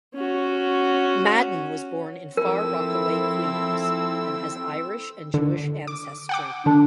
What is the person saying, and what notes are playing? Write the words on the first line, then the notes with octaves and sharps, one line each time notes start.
Madden was born in Far Rockaway, Queens, and has Irish and Jewish ancestry.
C#4 F#4
F3 C4 E4 A4 A#4 E6
D3
D6
F#5 G5 D6
D3 D4